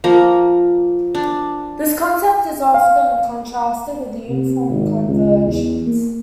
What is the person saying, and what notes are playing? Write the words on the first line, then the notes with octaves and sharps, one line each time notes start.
This concept is often contrasted with uniform convergence.
F3 A#3 A#5
D4
F5
C3
G#1
C#2
E2
A#3